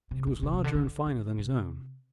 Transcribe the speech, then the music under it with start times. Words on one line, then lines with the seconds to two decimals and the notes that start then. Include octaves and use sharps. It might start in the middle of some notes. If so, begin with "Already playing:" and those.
It was larger and finer than his own.
0.11 C3
0.27 D3
0.43 C3
0.54 C3
0.64 D3
0.75 D3
1.07 D3
1.38 C3